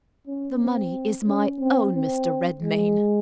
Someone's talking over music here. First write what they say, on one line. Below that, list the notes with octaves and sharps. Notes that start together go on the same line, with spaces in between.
"The money is my own, Mr. Redmain."
C#4
C4
C#4
C4
C4
G#3